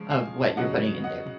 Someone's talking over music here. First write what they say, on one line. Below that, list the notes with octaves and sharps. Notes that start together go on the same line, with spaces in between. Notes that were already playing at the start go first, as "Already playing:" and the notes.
of what you're putting in there.
Already playing: C#3 F3 G#3
F5 G#5
C#3 F#3 D#5 F#5
D#5 F#5